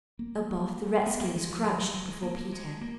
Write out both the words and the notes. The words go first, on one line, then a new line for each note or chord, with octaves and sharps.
Above, the redskins crouched before Peter.
A#3
B3
A#3
G#3
F3
F3
F#3
F#3
G#3
A#3
A#3
G#3
A#3